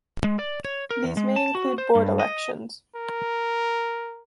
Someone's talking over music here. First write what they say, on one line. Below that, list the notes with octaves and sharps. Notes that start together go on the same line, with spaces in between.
These may include board elections.
G#3
D5
C#5
A#4
E2
G#3
A5
F#4
C5
G2
D#5
A#4